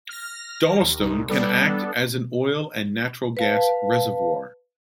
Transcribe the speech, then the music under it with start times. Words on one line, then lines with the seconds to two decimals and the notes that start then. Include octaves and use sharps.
Dolostone can act as an oil and natural gas reservoir.
0.09 F6 A#6
0.82 D#2
1.00 C2 D#4
1.29 G3 B3 D4 A4
3.37 B4 F5 A5